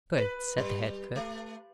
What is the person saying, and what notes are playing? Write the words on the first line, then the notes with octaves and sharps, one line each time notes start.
'Good,' said the head cook.
B4
G3
A3